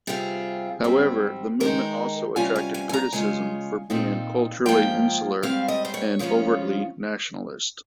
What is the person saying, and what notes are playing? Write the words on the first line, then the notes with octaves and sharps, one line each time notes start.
However, the movement also attracted criticism for being culturally insular and overtly nationalist.
C3 G3 C4 F4 G#4
G#2 G3 C4
D#3 G#3 D#4 A#4
C3 G3 C#4 F4 G#5
G#5
G#5
G#5
A#5
C#3 G#3 C#4 F4 G#5
A#2 F3 C4 D#4
G#2 F3 A#3 F4 G5
G#2 G3 C4 F5
D#5
C5
C#5
C#3 F3 G#3 C#4 F4